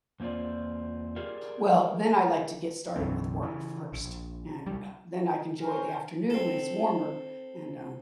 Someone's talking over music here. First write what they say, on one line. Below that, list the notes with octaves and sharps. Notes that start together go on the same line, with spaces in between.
Well, then I like to get started with work first and, uh, then I can joy the afternoon when it's warmer and, um,
E2 A#3 C4 F4 D5
F4 G4 G#4 A#4 D5 F5
B1 F#2 E3 C4
C#3 E3
A#1
A#1
C2 G3
A#4 C5 C#5 G#5
C4 A4